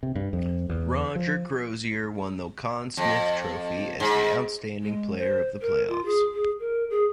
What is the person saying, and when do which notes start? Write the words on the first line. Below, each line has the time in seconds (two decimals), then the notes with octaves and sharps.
Roger Crozier won the Conn Smythe Trophy as the outstanding player of the playoffs.
0.03 C3
0.15 G2
0.33 F2
0.69 E2
1.16 F3
2.97 F2
4.00 G#2
4.83 G#3
5.17 C5
5.61 A#4
5.88 F4
6.05 G#4
6.34 G#4
6.59 A#4
6.90 G#4